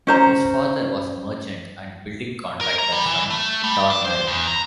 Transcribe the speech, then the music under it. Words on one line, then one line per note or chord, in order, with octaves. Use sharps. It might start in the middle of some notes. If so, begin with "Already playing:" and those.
His father was a merchant and building contractor from Tournai.
C#4 C5 A#5
A#4
A#5
G3
E3
A3
G3
D4
C5
E2
A#5